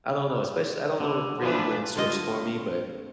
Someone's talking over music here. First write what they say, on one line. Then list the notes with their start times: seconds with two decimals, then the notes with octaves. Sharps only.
I don't know espec I don't know really when it switched for me, but,
1.00 D3
1.42 E3 F3 D4 B4
1.96 D3 C4 F4 D#5